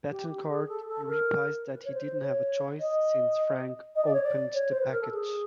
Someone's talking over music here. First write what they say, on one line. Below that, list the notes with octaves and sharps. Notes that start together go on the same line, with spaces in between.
Bettencourt replies that he didn't have a choice, since Frank "opened the package".
G4
G4
G#4
A4
A4
A#4
B4
C#5
C5
C#5
D#5
D#5
D5
C#5
D5
C#5
C5
B4
A#4
A4
G#4